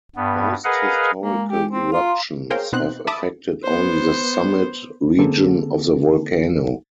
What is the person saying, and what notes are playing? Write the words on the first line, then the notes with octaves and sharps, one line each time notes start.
Most historical eruptions have affected only the summit region of the volcano.
G2 B3
G#4 A#4 B4 D#5 F5 F#5
G#3 A#3
G4
C4
F4 F5 A#5 C6
G#4 A#4 C5 C#5 F5 G5
B2 B3 C4 D#4 C5 F#6
E5 A5 B5 D6 D#6
B3 C5
D3 A#3 C4 G#4 A4